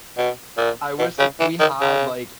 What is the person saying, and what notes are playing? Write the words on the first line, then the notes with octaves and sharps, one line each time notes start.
I wish, like, we had, like
B2
A#2
B2
C#3
E3
D#3
C#3